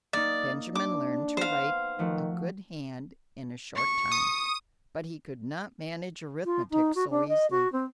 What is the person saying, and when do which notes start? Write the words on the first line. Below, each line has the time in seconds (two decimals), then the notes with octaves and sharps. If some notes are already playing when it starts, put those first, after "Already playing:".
Benjamin learned to write a good hand in a short time, but he could not manage arithmetic so easily.
0.13 A#3 D#4 D5
0.75 D4 D6
1.37 B3 C5 F5
1.99 D#3 F3 A3 F#4
3.76 C#6
4.12 D#6
6.45 F4
6.71 D#4
6.95 F#4
7.10 D4
7.28 D#5
7.51 F#4
7.72 C4